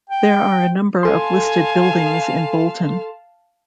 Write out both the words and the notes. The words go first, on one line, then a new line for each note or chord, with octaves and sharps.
There are a number of listed buildings in Bolton.
G5
A4 F5 G#5 A5 C6